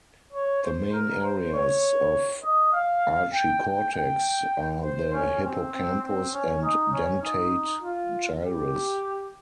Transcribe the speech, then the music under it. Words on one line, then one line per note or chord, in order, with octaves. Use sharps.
The main areas of archicortex are the hippocampus and dentate gyrus.
C#5
C5
A#4
C5
C#5
D#5
F5
G5
G5
G5
C5
C#4
C4
C4
C4
C#4
D#4
C#4
D#4
F4
G4